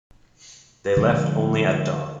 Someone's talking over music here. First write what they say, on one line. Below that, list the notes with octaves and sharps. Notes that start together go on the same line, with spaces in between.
They left only at dawn.
D3 F3 G#3